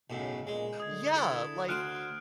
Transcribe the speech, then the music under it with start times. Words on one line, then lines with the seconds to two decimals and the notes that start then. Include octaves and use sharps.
Yeah, like,
0.10 B1 F#2 A2 C#3
0.47 A#2 G#3
0.80 D3 D#6 G#6
1.14 E4 A4
1.69 D2 C5 F6 F#6 D7